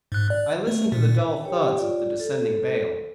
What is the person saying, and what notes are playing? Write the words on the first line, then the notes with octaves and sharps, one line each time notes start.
I listened to the dull thuds of the descending bale.
G#2 F#6
D5
A3
A#2
G4 C#5 G5
F4 D5
A4